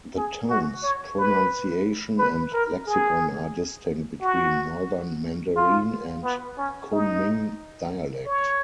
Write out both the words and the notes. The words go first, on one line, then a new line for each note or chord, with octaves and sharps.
The tones, pronunciation, and lexicon are distinct between Northern Mandarin and Kunming dialect.
G#4
F#4
C#5
B4
B4
A#4
G#4
F#4
F4
B3
C#4
D#4
C#5